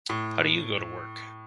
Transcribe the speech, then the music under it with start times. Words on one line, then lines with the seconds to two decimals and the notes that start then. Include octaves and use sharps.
How do you go to work?
0.09 A2